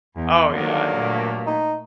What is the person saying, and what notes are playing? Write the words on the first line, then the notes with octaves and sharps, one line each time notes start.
Oh yeah yeah.
E2
G2 D3 D#3 F#3 A#3
A#2 A3
D#4